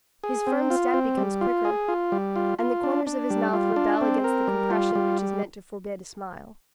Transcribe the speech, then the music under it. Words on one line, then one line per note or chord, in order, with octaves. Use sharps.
His firm step becomes quicker, and the corners of his mouth rebel against the compression which is meant to forbid a smile.
G#4
C4
F4
C4
G3
F4
G#4
F4
G3
F4
F4
D4
D4
G3
F4
D4
C4
A#4
G3
F4
G3